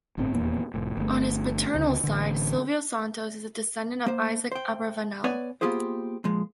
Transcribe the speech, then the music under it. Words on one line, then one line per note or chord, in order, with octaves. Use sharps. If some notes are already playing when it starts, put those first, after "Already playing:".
On his paternal side, Silvio Santos is a descendant of Isaac Abravanel.
G1 A2 A3 C4
D#1 E2 A#3 B3
F1 A2
G1 A3
D2 C#3
A1 D3
A#3 C5
C5 G5
B3 B4 C#5 D5 G#5
A#3 B3 F4 G4 G#4 C5
A#2 F3 G#3